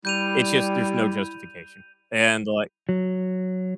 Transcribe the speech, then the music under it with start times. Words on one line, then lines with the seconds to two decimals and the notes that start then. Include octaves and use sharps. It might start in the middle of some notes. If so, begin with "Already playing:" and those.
it's just there's no justification, and like
0.05 G3 E4 G6 D#7 F7
2.89 F#3